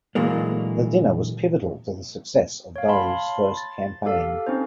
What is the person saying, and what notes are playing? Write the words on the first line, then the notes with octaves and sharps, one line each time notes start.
The dinner was pivotal to the success of Dole's first campaign.
A#2 D3 E3 F#3 G#3 A#3
C#5 F5
F5 A5 B5 C6
A6
G4 A4 F5
C4 C#4 D#4 C5